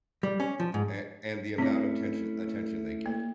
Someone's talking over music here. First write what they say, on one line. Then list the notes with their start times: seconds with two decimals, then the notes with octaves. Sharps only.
a and the amount of tention attention they get
0.23 G3
0.40 C#4
0.60 F3
0.74 G#2
1.58 A3 C4 C#4 E4 C#5
3.06 A#3